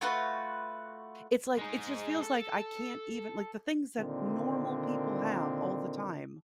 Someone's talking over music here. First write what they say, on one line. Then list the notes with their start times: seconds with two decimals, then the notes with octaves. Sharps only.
it's like it just feels like I can't even like, the things that normal people have all the time.
0.01 A3 F4 F#4 B4
1.59 G#3 D#4
2.22 A4
3.98 A#2 D3 D#3 C4